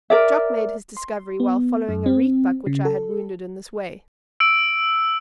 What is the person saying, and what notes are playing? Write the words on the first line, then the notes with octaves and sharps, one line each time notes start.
Jock made his discovery while following a rietbuck which I had wounded in this way.
A#4 D5 E5
C6
B3
F#2
C4
C#3
A4
E6 D7